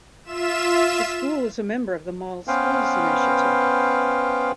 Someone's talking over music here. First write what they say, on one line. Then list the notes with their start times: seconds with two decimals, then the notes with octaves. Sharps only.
The school is a member of the Model Schools initiative.
0.24 F4 E5 E7
2.48 B3 C#4 B4 C5 F5 G5